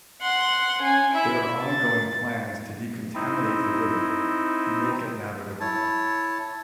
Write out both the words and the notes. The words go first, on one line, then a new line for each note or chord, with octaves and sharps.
There are ongoing plans to decontaminate the river and make it navigable.
F#5 C6
C#4 G#5
E4 E5
A6
C4 D#4 E4
E4 C#5 A5